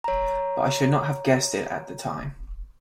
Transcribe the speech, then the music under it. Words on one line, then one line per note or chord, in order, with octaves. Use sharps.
But I should not have guessed it at the time.
C#5 A#5